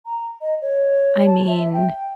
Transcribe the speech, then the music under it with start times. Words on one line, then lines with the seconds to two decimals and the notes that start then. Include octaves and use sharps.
I mean,
0.06 A#5
0.42 D#5
0.62 C#5
1.26 A5
1.47 E5
1.73 G5